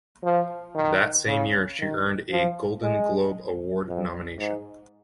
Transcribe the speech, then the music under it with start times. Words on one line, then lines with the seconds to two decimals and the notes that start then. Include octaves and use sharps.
That same year, she earned a Golden Globe Award nomination.
0.24 F3
0.75 D#3
1.27 C#3
1.79 D#3
2.31 F3
2.82 G#3
3.87 F2
4.38 G#2